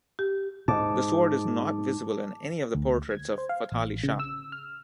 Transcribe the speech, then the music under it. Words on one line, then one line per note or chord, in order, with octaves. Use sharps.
The sword is not visible in any of the portraits of Fathali Shah.
G4
G#2 A5 D6
D2
G#6
C5
F5
A1
C#3
E6
F6